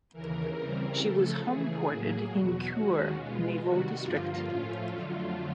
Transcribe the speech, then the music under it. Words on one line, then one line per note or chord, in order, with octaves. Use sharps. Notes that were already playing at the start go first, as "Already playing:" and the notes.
She was homeported in Kure Naval District.
D#2 C#3 E3 A#4
C#3 E3 G3 C4 A#4
C#3 F3 A3 A4
C#3 E3 A3 G#4
A2 F#3 A#3 G#4
E2 B2 F#3 F#4
D#2 D#3 G#3 C#4 F#4
B2 G#3 B3 F4
C3 D#3 G3 F#4
G2 D3 F3 A#3 F4
A2 F3 A3 C#4 F4
F2 D3 F#3 A3 F4